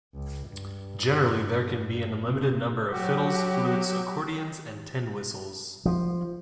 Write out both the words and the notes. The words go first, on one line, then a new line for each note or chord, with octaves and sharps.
Generally there can be an unlimited number of fiddles, flutes, accordions and tin whistles.
C#2
G2
G2
C3
F#3 F#4 G4 D6
F3